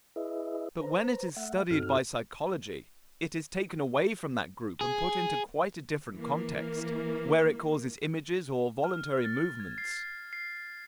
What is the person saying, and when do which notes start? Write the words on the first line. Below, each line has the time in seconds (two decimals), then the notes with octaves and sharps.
But when it is studied by psychology, it is taken away from that group and put into quite a different context, where it causes images or voluntary movements.
0.16 E4 G#4 B4 D#5 E5
0.81 B4 C5 A#5
1.36 A3 E5 F#5
1.71 G2 C4 D#4 F#4 A4 F6
4.81 G#4
6.15 E3 A#3
8.84 F6
9.24 A6
9.60 G#6
9.78 C7
10.33 C7